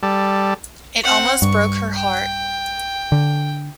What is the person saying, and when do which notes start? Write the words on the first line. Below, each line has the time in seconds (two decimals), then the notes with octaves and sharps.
It almost broke her heart.
0.03 G3 A4
1.04 C4 F#5
1.42 G2 C#6
1.95 G5
3.12 D3